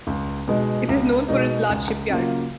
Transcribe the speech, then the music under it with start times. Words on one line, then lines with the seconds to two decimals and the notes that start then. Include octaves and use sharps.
It is known for its large shipyard.
0.07 C#2
0.48 B2 G#3 D#4
0.88 C#2
1.28 B2 G#3 D#4
1.70 C#2
2.10 C#3 F#3 A#3 F4